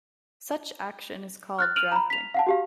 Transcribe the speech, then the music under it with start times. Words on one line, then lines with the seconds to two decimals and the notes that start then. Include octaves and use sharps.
Such action is called drafting.
1.59 F6 F#6 A6
1.76 F6 D7 D#7 F7 F#7
1.92 A#5 B5
2.10 B6 F7
2.34 F5 F#5 A5
2.47 F#4 G4 F5